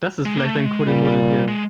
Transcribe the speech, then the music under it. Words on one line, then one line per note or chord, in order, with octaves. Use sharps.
Das ist vielleicht ein Kuddelmuddel hier.
G#3
A#3
A3
A3
G#3
A#2 G3
G#3